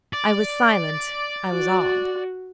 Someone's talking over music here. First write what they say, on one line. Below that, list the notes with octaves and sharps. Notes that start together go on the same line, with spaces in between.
I was silent; I was awed.
D5
F#4